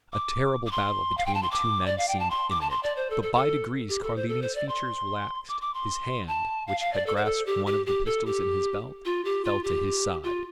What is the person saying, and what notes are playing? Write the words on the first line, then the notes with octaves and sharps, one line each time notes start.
A terrible battle between the two men seemed imminent; but by degrees Carlini's features relaxed, his hand, which had grasped one of the pistols in his belt, fell to his side.
D6
D6
C6
F5
G5
A5
C6
D6
D5
F5
G5
A5
C6
D6
A5
C6
D5
C5
A4
A4
A4
G4
A4
C5
A4
C5
D5
C6
D6
D6
C6
A5
F5
F5
D5
A4
C5
A4
G4
G4
G4
A4
G4
F4
G4
F4
G4
F4